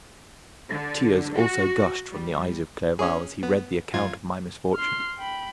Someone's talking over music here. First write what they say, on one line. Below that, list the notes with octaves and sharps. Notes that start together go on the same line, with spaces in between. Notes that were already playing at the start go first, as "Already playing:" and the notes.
Tears also gushed from the eyes of Clerval, as he read the account of my misfortune.
D3
F#4
G3
C#4 G#4
B3
F#2 F4 G#6
C6 F6
G5 B5